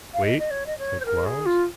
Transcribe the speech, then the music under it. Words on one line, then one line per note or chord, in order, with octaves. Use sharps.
"Wait," said Quarles.
F5
D#5
D#5
C#5
D#5
C#5
C5
A#4
G#4
F4